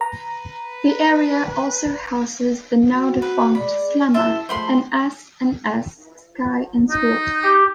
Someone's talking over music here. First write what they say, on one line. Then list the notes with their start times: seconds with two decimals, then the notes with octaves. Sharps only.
The area also houses the now defunct "Slammer", an S and S Sky Swat.
0.01 B4 A#5
2.81 C4 F#4
3.22 B4
3.55 G#3 D5 B5
4.14 F#2 C#3 E4 E5 A5 C6
4.49 F3 G#3 A3 C5 B5 C6
6.90 D#4
7.43 G4